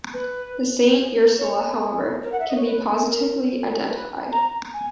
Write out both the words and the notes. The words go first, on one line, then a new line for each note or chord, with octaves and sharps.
The "Saint Ursula", however, can be positively identified.
B4
C#5
A#4
F#5
E5
D#5
C#5
B4
A#4
B4
A#5
G#5